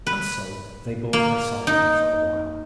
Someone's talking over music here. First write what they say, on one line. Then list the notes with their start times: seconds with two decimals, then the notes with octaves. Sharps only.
And so they both were silent for a while.
0.07 B4
1.13 A#3
1.67 D#4